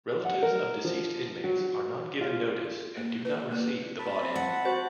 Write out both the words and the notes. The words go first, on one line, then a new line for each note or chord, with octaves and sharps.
Relatives of deceased inmates are not given notice and do not receive the body.
F#5
A#4
F3
F#3
F4
A#3
B4
A#3
A5 B5
C4
F#5
F#4 C5